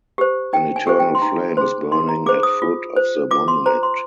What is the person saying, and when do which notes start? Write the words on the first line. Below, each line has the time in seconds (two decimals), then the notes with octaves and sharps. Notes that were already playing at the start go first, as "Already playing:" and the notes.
An eternal flame is burning at foot of the monument.
0.18 G4 C5
0.53 D#4 G5
0.76 G#5
0.87 G4 C5
1.00 G5
1.15 C6
1.22 D#4 A#5
1.57 G#4 C5 C6
1.92 D#4 C6
2.09 A#5
2.26 G#4 C5 D6
2.43 D#6
2.62 F4
2.97 C5
3.31 F4 D6
3.48 C6
3.66 C5 A#5
3.83 C6